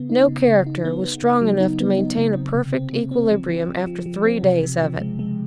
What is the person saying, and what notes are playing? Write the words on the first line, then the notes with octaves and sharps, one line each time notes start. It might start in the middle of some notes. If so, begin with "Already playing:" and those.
No character was strong enough to maintain a perfect equilibrium after three days of it.
Already playing: C#3 B3
D#4
C#3
C#3
D#4
B3
B3
C#3
F#3
D#4
B3
D#4
C#3
C4
C3
C4
C4
C4
F3
F3
F3
F3
F3
C4
C3
C3
F3
G#3
G#3